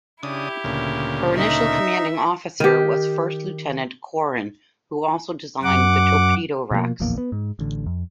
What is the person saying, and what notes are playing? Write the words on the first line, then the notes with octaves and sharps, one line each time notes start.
Her initial commanding officer was First Lieutenant Koren, who also designed the torpedo racks.
C#3 D4 E4 G4 D#6
D2 A#2 C#3
D#4 E5
D#3 G4
F#2 F#5 D6
B2 F3 G3 A#3
D1 A#1 E2 A#3
B3
G#2
A1 D3
F2